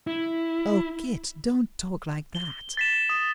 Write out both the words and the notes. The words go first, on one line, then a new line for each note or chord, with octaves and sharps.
'Oh, Kit, don't talk like that.'
E4
G7
A6 B6 E7
D#6